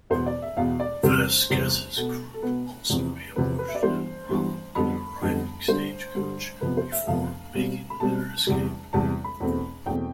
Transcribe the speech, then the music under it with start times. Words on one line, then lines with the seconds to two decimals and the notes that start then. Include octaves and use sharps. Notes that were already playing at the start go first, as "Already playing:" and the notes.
Vasquez's group also ambushed and robbed an arriving stagecoach before making their escape.
0.10 E2 B2 B3 C5
0.26 D5
0.42 E5
0.57 E2 B2 B3 F5
0.80 D5
1.03 E2 C3 G3 C4 C5
1.50 E2 C3 G3 C4
1.96 B2 B3 A4
2.34 A4
2.42 B2 B3 B4
2.90 E2 C3 F3 C4
3.36 E2 C3 F3 C4 B4
3.59 B4
3.68 E5
3.75 D5
3.83 G2 E3 G3 B3 C5
4.29 G2 E3 G3 B3
4.75 F2 D3 G3 B3 B5
5.21 F2 D3 G3 B3
5.68 G2 D3 G3 C5
6.15 G2 D3 G3
6.60 F2 C3 F3 B3 B4
6.77 C5
6.92 E5
7.07 F2 C3 F3 B3 F5
7.53 B2 G3 C4
7.90 B5
8.00 B2 G3 C4 A5
8.47 E2 C3 G3
8.93 E2 C3 G3 A5
9.24 B5
9.40 E2 B2 A3 C4
9.86 E2 B2 A3 C4 G5